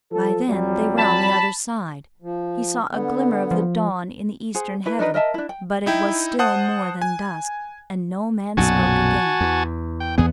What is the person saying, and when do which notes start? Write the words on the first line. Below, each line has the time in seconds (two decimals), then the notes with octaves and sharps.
By then they were on the other side he saw a glimmer of the dawn in the eastern heaven, but it was still more than dusk, and no man spoke again.
0.12 F3 A4
0.49 F2 F#3 G3
0.98 A5 B5
2.22 F3
2.91 D3 B3
3.51 F3
4.55 G#4 C5 F#5
4.86 E4 B4
4.99 D4 D#4 A#4 B4
5.14 A#4 D#5 E5 A5
5.34 D4 E4
5.49 G5
5.86 D#4 E4 G5
6.39 C5 F#5 A5 D#6 F#6
7.02 G#5
8.57 B1 F#2 A#2 F#4 G#5 A5
9.41 E2
10.00 G5
10.18 E2 B3 G#4